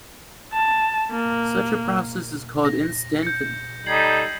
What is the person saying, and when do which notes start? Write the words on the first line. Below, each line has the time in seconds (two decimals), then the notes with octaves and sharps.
Such a process is called an instanton.
0.53 A5
1.11 A#3
2.65 A#6
3.23 G6 C#7
3.86 G3 D#4 A4 G#6 C7 F#7